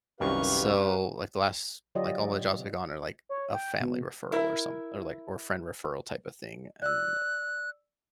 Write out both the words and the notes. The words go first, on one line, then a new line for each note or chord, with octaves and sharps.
so, like, the last like, all the jobs I've gone are, like, a family referral or some, or, like, or friend referral type of thing, and,
C2 F#2 D#3 C#4 G4 B4 F5 C#6
D3 F#3 F4 G4 D5 D#5
C#5
G5
B2
E4 A#4 E5
D5 E6 F#6